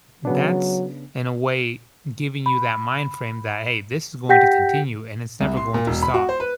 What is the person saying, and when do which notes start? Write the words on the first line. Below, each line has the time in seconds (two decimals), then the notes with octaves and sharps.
and that's, in a way, giving you that mind frame that, "Hey, this is going to continue and it's never going to stop,"
0.25 C#3 F#3 B3 D4
2.46 B5
4.29 G4 F#5 G5 G6 A#6 B6
5.41 C2
5.57 C6
5.74 A#2
5.87 E1
6.02 B5
6.14 F#4
6.29 C5
6.40 B4